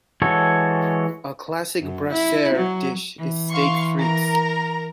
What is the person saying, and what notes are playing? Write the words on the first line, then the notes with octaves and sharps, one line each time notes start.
A classic brasserie dish is steak frites.
E3 G#3 F#4 A4 C#5
F#2
E4
F#3
E3
F5 C6 C#6
A#4 A#5